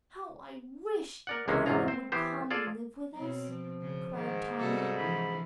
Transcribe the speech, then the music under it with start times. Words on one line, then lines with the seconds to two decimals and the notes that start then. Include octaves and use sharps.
"How I wish a brownie would come and live with us!" cried Tommy.
1.27 A#4 D5 F#5
1.48 C#2 C3 E3 G#3 A#3 C#4
1.66 E2 G#2 C3 F#3 F4 A#5
1.88 C4 C5
2.12 E3 B3 G4 C5
2.51 F4 G#4 A4 D5
3.15 B2 F#3 C4
3.50 F3
3.81 C#3
4.14 G#2 D#3
4.59 C3 G3 F#4 A4
4.96 D3 E3 F3 B5